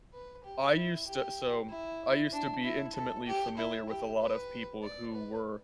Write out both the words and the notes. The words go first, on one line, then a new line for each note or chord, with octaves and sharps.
I used to so, I used to be intimately familiar with a lot of people who were,
B4
G4
E4
G4
E4
D4
E4
A4
G4
E4
G4
B4
D5
B4